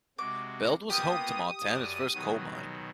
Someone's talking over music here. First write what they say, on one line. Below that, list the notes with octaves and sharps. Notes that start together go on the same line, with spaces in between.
Belt was home to Montana's first coal mine.
C3 G#3 F#4 D6
A#3 B3 F4 G4 D#6
F#2 D5 A5
B2 D#3 F#3